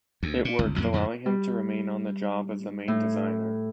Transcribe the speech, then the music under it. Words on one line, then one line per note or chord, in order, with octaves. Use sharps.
It worked, allowing him to remain on the job as the main designer.
D2
A#2
G1 C#2
F2 A#2 F#3 A#3
F2 A2 D3
G3
A2